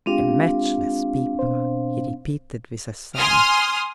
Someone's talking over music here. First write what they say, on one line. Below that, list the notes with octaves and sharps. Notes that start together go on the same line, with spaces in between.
"A matchless people!" he repeated with a sigh.
G#3 C4 D4 F4 G4 F5
B2 C5
G#5 C6 D#6 F6